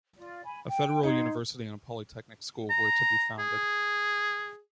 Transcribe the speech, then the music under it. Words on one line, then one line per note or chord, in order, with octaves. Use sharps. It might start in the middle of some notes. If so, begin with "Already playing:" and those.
A Federal university and a polytechnic school were to be founded.
F4 D5
G#5 B5
G5
D#4 F#5 C6 G#6
A#5
G#4